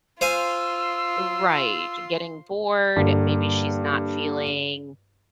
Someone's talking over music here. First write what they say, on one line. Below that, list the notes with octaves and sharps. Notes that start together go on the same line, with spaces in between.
Right. Getting bored, maybe she's not feeling
F4 C5 F5 G#5 C6 E6
G2 D3 A#3